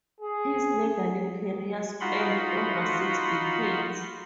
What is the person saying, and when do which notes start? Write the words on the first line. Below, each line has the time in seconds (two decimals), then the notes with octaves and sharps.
His legal career spanned over six decades.
0.20 G#4
2.01 D#4 F4 F#4 F#5 B5 C6